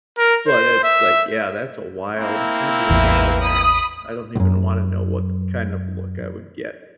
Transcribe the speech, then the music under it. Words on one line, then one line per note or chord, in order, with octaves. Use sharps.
But it's, like, yeah, that's a wild that'd be a wild ask. I don't even wanna know what th kind of look I would get.
A#4
C5
E5
A#3 C4 E4
A1 E2 B4 E5
B5 D#6
B1 F#2